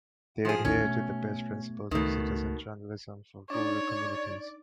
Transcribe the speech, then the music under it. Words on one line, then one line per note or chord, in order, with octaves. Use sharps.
They adhere to the best principles of citizen journalism for rural communities.
F3 G#4
A#1 D#2 D#3 C#4
B2 A3
C#2 B2 D#3 A3
D4 D#4 C#5 D5